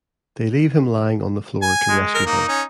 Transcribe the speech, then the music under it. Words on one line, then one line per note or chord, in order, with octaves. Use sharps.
They leave him lying on the floor to rescue her.
G#5
G#3
A#4
A#3 D#4
C#4